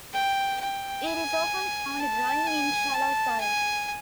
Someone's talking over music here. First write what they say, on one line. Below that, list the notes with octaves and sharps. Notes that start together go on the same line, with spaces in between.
It is often found growing in shallow soils.
G5
G5
G#5
A5
G#5
A5
G#5